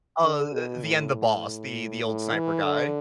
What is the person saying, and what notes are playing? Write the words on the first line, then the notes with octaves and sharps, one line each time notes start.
Oh, eh the end the boss, the the old sniper guy.
D3
B2
A2
A2
E3
D3